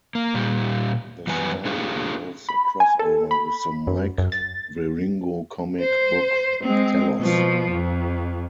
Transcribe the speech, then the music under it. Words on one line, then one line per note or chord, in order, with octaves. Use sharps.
The story involves a crossover with the Mike Weiringo comic book "Tellos".
A#3
A#2 G3 G4
F#2 E3 G3 B3 G#5
A3 D4 F4 G4 G#4
B5
G#5
A4
B5
F#2
F#2
A6
C5
G#3 C4
B2 F3
F2